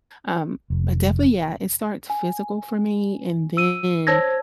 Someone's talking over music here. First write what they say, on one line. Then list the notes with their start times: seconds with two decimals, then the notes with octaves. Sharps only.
Um, but definitely, yeah, it starts physical for me, and then
0.70 F1
2.10 G#5
3.57 E6 D#7
4.07 C5 C#5 A5 E6 G#6 A#6